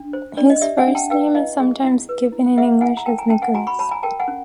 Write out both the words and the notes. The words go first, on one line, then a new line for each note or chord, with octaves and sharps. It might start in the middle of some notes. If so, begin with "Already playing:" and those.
His first name is sometimes given in English as Nicholas.
Already playing: D4
C5
D4 D5
D#5
G4 D5 E5
F#5 G#5
D4
G5 A5
B4 F5 G5
E4 D#5 F5
G#4
E4
B4
E4
G#4 E5 F#5
E4 F#5 G#5
A#5
A#4 G5 A5
G#5 A#5
C#4 G5 A5
F#5 G#5
F#4 G#5 A#5
B5 C#6
C#5 A5 B5
G#5 A#5
A#4 G5 A5
F#5 G#5
C#4